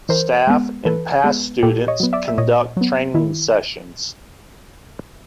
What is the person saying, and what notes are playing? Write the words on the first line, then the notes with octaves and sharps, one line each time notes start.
Staff and past students conduct training sessions.
E3 A#4 C5
G#3 B3
E3 A4 B4
G#3 B3
A#2 G4 A4
C#5 D#5
F#3 B3
D5 E5
E5
A#2 C#5 D#5
F#3 B3
D#3 E4